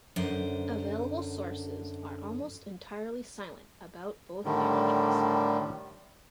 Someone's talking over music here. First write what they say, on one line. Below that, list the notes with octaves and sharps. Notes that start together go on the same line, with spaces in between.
Available sources are almost entirely silent about both marriages.
F#2 D3 C5
A2 D3 D#3 G3